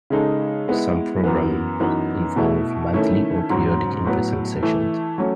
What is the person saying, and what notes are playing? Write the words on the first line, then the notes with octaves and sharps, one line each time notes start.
Some programs involve monthly or periodic in-person sessions.
C#3 G#3 D#4 A4
G#3 B3 E4
F#2 E3 B3
F#2 E3 B3 D#4
B2 A3 E4
D#3 A3 C#4 E4
G#2 F#3 C#4
A2 F#3 B3
E3 A3 E4
F#3 A3 C#4